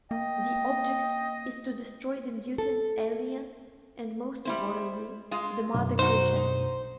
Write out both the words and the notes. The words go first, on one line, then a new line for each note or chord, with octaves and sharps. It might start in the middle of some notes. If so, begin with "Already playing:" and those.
The object is to destroy the mutants aliens and, most importantly, the Mother Creature.
A#3 D#5 G5
A4
G3 E4 C5
G#3 F4
B1 F#2
D#4 F#4 C5
D#4